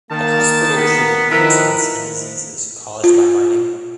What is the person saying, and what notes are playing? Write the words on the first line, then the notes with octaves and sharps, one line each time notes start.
The hospital treated accidents and diseases caused by mining.
D#3 A#3 A5
B3 A#4
D#3 F3 E4 A#4 B4
F4